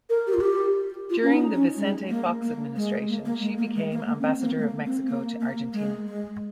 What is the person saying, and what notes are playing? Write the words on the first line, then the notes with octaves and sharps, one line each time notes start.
During the Vicente Fox administration she became ambassador of Mexico to Argentina.
A#4
G4
F4
G4
F4
C#4
D#4
C#4
G#3
A#3
A#3
G#3
A#3
A#3
G#3
A#3
G#3
A#3
A#3
C#4
C4
A#3
G#3
A#3
C4
A#3
A#3
G#3
G#3